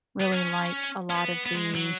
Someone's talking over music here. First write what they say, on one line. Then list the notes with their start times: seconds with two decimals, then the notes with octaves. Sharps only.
really like a lot of the,
0.21 B3
0.32 C#4
1.10 C#4
1.14 B3
1.46 B3
1.55 G#3
1.75 F#3